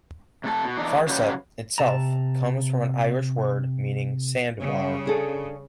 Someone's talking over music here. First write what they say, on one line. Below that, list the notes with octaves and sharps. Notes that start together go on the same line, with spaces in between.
"Farset" itself comes from an Irish word meaning "sandbar".
C3 A3 A4 A5
B2
E2 E3 D4 D#4
C#3 F#3 G4 B4
C3 A5 A#5
C#3 G3
D4 G#4 A4